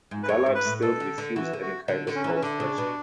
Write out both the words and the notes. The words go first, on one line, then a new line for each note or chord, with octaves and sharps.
Galard still refused any kind of cooperation.
G#2
B4
F#2 C#5
G#2
B4
A2
B2 A4
D3
D3
E3 F#4
D3
F#4
D3
D3
C#4
E3
C#4
D3 D4
C#3
B2